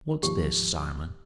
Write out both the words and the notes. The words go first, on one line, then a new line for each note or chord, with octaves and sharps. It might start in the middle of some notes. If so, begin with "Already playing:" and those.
"What's this, Simon?"
D#2 G#2 F3 G4